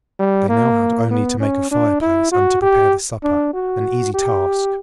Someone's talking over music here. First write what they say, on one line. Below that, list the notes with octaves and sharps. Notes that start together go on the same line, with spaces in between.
They now had only to make a fireplace and to prepare the supper--an easy task.
G3
A#3
B3
C#4
D4
E4
F#4
G4
D4
F#4
G4